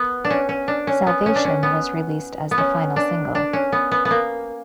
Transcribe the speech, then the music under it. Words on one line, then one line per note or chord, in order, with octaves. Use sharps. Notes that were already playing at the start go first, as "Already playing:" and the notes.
"Salvation" was released as the final single.
Already playing: B3
D4
C#4
C#4
D4
C#4
B3
C#4
D4
C#4
B3
B3
C#4
D4
D4
C#4
B3
B3
B3
A#3